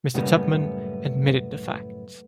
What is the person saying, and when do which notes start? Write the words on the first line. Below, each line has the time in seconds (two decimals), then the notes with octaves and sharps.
Mr. Tupman admitted the fact.
0.14 F#2 A2 C#3 G3 A#3 B3